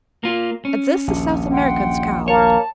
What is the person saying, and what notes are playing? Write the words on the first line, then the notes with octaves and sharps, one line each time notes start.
At this the South American scowled.
A#3 F4
C#4
A#1 D#2
F#5 G5 C6
A#3 C#5 A5